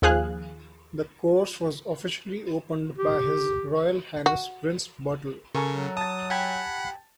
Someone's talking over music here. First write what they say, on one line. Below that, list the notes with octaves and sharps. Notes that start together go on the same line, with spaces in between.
The course was officially opened by His Royal Highness Prince Bertil.
D#2 F3 G#4 F5 F#6
G4
F#4
C#3 A4 A#4 G#5 C#6
F#3
A5 D#6 A6
G4 F#5 G#5 B5